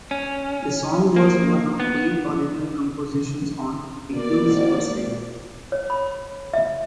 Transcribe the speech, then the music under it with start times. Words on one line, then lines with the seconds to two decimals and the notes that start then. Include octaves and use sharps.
The song was one of eight original compositions on "Beatles for Sale".
0.11 C#4
1.16 A#3
1.80 B3
4.11 B2 A#3 D5
4.49 G#1
5.72 C#5
5.90 B5
6.54 E5